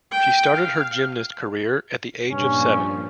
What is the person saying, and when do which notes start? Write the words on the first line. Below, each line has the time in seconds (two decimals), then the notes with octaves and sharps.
She started her gymnast career at the age of seven.
0.12 G5
0.55 F5
2.31 G2 A#2 F3 C#4